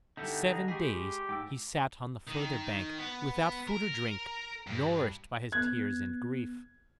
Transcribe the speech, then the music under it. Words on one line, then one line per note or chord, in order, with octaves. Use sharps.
Seven days he sat on the further bank without food or drink, nourished by his tears and grief.
D3 G3 D#4 E4 A4
G#4 D#5 A#5
G#3 G4 G#4 A#4 B5 C#6
G#2 G5 D6 E6
D#3
B3
A#4
G2
B3 F#6 G#6